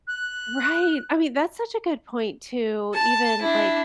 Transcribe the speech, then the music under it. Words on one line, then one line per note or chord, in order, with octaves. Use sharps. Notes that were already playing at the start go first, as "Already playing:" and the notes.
Right! I mean, that's such a good point too, even, like,
F#6
A5
D4 E4